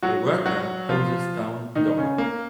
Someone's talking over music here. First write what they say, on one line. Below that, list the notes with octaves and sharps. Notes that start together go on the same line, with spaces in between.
A worker hoses down dock.
F#3 F#4
F#3 F#4
F3 F4
D#3 D#4
C#3 C#4
A#3